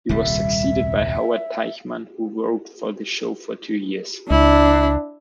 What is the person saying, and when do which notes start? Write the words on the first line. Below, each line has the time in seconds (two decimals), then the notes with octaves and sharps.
He was succeeded by Howard Teichmann, who wrote for the show for two years.
0.09 D#1 C2 G3 E5
4.31 C#2 D4 E4